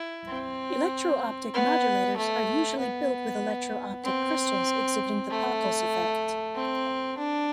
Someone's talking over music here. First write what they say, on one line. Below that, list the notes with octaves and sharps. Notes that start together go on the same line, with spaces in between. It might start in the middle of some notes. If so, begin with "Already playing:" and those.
Electro-optic modulators are usually built with electro-optic crystals exhibiting the Pockels effect.
Already playing: E4
C4
B3
A3
B3
C4
A3
C4
D4